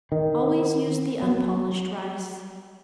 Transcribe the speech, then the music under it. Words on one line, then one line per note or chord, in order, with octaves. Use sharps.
Always use the unpolished rice.
D#3
F#3